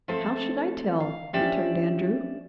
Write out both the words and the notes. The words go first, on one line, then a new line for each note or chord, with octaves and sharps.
"How should I tell?" returned Andrew.
F3 A3 C4 A4 E5
F5
F3 C#4 D4 G4 D5 E5